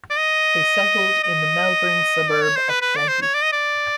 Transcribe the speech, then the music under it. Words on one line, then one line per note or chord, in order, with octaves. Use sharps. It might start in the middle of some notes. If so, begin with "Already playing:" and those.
They settled in the Melbourne suburb of Plenty.
D5
D#5
D#5
D5
C#5
C5
B4
B4
D5
C5
C#5
D5
D#5
D5